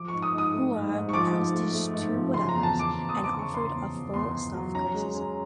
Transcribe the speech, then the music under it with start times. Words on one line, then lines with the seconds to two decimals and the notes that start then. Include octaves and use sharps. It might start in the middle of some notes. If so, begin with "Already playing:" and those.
Hua renounced his "Two Whatevers" and offered a full self-criticism.
Already playing: F3 D6
0.08 G#2 C#6
0.22 D#6
0.33 G#2
0.38 D#6
0.53 A3
0.73 G#2
0.93 G#2
1.09 C#6
1.13 F3 D6
1.33 G#2
1.53 A3
1.73 A3
1.93 G#2
2.14 F3
2.33 C#3 C6
2.49 A#5
2.54 E2
2.63 A5
2.74 E2
2.79 D6
2.94 E2
3.09 E2 D#6
3.24 D6
3.34 C#3 C#6
3.54 C#3 C6
3.74 E2
3.94 E2
4.14 E2 C6
4.34 E2
4.54 F#3
4.75 C#4 A#5
4.94 G#3
5.15 C#4